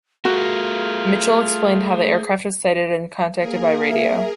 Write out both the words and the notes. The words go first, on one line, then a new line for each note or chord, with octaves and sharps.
Mitchell explained how the aircraft was sighted and contacted by radio.
A3 F4 F#4 G#4 A#4
A#3 G#4 A#4
E5